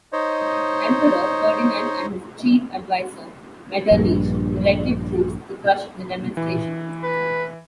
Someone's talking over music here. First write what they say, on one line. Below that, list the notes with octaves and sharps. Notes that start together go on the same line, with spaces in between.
Emperor Ferdinand and his chief advisor Metternich directed troops to crush the demonstration.
D#4 C5 C#5 D#5
A#1 G2
E3
B4